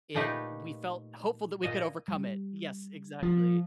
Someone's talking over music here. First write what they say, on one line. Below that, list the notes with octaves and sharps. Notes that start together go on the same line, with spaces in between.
it we felt hopeful that we could overcome it. Yes, exactly.
A#2 A3 D#4 G4 B4
A#2 D#5
G3
F3